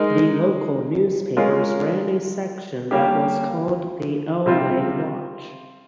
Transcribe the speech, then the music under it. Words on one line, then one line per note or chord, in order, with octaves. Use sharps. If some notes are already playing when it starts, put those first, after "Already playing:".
The local newspapers ran a section that was called The Elway Watch.
Already playing: G#3 D#4 A#4 D#5
G#3 C#4 F4 A#4
G3 A#3 C#4 G4
C3 G3 C4 F4